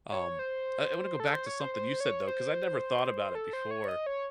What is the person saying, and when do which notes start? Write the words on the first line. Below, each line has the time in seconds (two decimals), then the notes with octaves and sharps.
um, I I wanna go back to something you said though, 'cause I'd never thought about it before,
0.12 C#5
0.39 C5
1.20 A4
1.34 C5
1.46 C#5
1.60 C5
1.74 C5
2.00 C#5
2.27 C5
2.54 C5
3.35 A4
3.53 C5
3.71 C#5
3.88 D#5
4.06 C#5